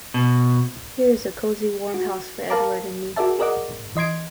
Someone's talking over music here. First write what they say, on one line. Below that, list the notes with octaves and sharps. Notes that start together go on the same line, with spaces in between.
Here's a cozy warm house for Edward and me.
B2
F#4
A#4 F5 A5 A#5 D6
F#4 G#4 A#4 D5 E5 A5
G#4 A#4 D5 D#5 F#5 D6
E3 D#5 C6 G#6 D7